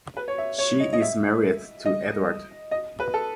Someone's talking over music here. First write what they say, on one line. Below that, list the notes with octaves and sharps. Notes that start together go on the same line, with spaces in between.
She is married to Edward.
B4
C#5
E5
C#5
D#5
D#5
E5
D#5
D#5
B4
A4